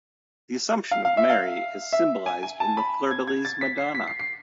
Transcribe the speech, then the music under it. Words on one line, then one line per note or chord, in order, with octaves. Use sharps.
The Assumption of Mary is symbolised in the Fleur-de-lys Madonna.
F5
F5
E5
F5
E5
G#5
G#5
A5
B5
G#6
G#6
A6
B6
C7
B6
C7
C7